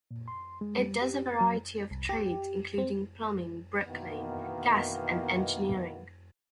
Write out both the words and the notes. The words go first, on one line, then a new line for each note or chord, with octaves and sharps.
It does a variety of trades, including plumbing, brick laying, gas and engineering.
A#2
C6
G#3
G3
G4
A6
F#3
C2
G4
C4
B2 D#3 E3 A#3 B3